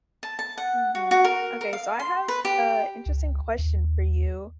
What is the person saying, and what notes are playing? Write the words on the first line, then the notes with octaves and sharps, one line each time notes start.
Mhm. Okay, so I have a interesting question for you:
A5
A5
F#5
F#4
F#4
A#4
A#4
F5
C6
B4
G4
C#2
D#2